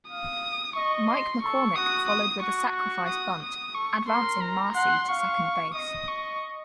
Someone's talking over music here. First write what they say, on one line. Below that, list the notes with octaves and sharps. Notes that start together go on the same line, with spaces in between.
Mike McCormick followed with a sacrifice bunt, advancing Masi to second base.
F5 D#6
D#5 C#6
C6
A4 C#6
F#4 D#6
D#6
F#4 C#6
C#6
D#6
D#6
A4 C#6
A#4 C6
A#5
F#5 C6
F5 C#6
D#5 D#6
C#6